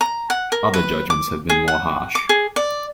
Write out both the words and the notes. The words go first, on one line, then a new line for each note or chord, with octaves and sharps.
Other judgments have been more harsh.
A#5
F#5
A#4
B4
D6
G#4
F#5
D6
G#4
D5